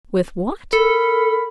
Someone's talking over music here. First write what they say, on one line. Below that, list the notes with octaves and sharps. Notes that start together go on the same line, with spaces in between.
"With what?"
A4 A#4 B5